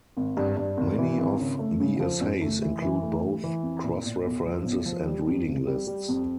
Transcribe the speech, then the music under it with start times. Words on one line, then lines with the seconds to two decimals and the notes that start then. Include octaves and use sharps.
Many of the essays include both cross-references and reading lists.
0.17 G#1
0.37 G2
0.57 G2
0.77 G#1
0.98 E3
1.18 G#1
1.39 C#3
1.59 A3
1.80 C#3
2.00 F3
2.21 F#2
2.42 A3
2.62 E3
2.82 E3
3.02 A3
3.22 E3
3.43 E3
3.63 F2
3.83 A#2
4.05 A#2
4.24 B1
4.45 F3
4.65 B1
4.86 F3
5.06 G3
5.27 F2
5.47 F2
5.67 G3
5.87 G3
6.09 F2